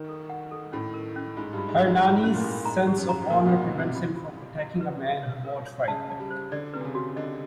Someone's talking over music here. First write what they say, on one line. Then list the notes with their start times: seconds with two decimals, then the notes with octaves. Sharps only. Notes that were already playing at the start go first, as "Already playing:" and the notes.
Hernani's sense of honor prevents him from attacking a man who won't fight back.
Already playing: D#3
0.09 A4
0.30 F#5
0.51 A4
0.72 A2 C#4
0.94 A#4
1.16 C#4
1.37 G#2 F4
1.53 G2
1.58 F4
1.69 G#2
1.80 F4
1.86 G#2
2.01 A2 E4
2.23 C#4
2.34 A#2
2.44 G#4
2.65 G#2 A#5
2.87 G4
2.98 F#2
3.09 A#5
3.30 A#2 A#4
3.46 B2
3.51 F#5
3.62 B2
3.73 A#4
3.79 C3
3.95 F4
4.16 F4
4.37 F4
4.59 E4
4.81 B4
5.02 G4
5.23 C#5
5.45 A#4
5.66 C#5
5.88 C#3 A5
6.10 A5
6.20 G3
6.31 C5
6.52 D3 D5
6.74 C3 B4
6.84 C#3
6.95 F#4
7.16 D3 D#5